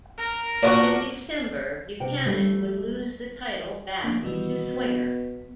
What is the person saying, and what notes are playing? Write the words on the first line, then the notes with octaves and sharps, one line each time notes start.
In December, Buchanan would lose the title back to Swinger.
A#4
A#2 D4 F4 F#4
C3 G5
G3 A3
F1 A#3 D4
B2 D#3 E3 G3
B3